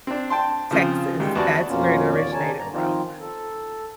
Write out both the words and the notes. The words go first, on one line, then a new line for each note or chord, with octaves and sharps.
Texas, that's where it originated from.
C4 D4
G5 A5 C6
C#3 F3 C4
D2 D#3 G3 G#3
E2 F#4 D5 A5
F2 B2 A#3 C#4 F4
D#2 A#2 C#5 D5
D3 D#3 D#4 G#5 A5
G2 A#5
D#3 F3 C4 D#4 F4
A4